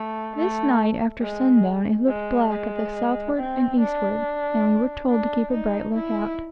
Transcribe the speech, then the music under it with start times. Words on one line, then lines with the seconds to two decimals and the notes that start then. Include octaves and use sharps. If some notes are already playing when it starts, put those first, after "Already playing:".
This night, after sundown, it looked black at the southward and eastward, and we were told to keep a bright look-out.
Already playing: A3
0.36 A3
1.22 G#3
2.07 G#3
2.50 G#3
3.36 C4
3.80 D4
5.09 D4
5.52 D#4
5.95 E4